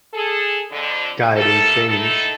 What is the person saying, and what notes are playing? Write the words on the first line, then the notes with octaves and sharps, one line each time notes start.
guiding change,
G#4 A4
F2 D3
G3 A3 A#3 A4
D#3 D#4 E4 A4